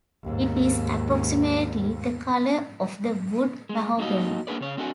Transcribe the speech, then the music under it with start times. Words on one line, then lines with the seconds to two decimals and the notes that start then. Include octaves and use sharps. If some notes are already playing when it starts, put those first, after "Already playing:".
It is approximately the color of the wood mahogany.
0.22 D#2 G#2
3.69 G#3
3.99 A#3 D#4 F#4 D#5
4.47 A#3 B3 D4 G#4 B4 D5
4.61 C#3 C#5
4.77 C4 D4 F#4 A4 G#5